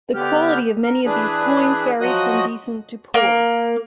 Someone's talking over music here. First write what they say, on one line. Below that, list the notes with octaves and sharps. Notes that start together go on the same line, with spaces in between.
The quality of many of these coins varied from decent to poor.
D3 B3 G4 F6
A#4
E3 D4 G#4 B4
F3 F#3 F#4 D#5 D#6 F#6
A#3